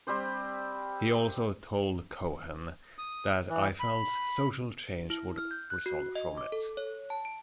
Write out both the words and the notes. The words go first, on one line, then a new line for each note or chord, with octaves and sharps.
He also told Cohen that, I felt social change would result from it.
G3 C4 G4 C5
D#6
E3
B5
E4
F6
G6
F#6
F#4
D#5
D6
A4
C#5
A5
D7